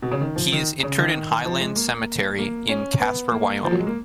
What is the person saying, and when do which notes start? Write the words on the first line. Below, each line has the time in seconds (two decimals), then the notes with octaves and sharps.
He is interred in Highland Cemetery in Casper, Wyoming.
0.02 B2
0.12 C#3
0.21 D#3
0.36 F3
0.52 D#3
0.83 C#3
0.99 D#3
1.45 F3
1.60 G#3
1.76 A#3
2.39 A#3
2.69 C#4
3.00 B3
3.32 A#3
3.64 F3
3.72 F#3
3.79 G#3
3.87 A#3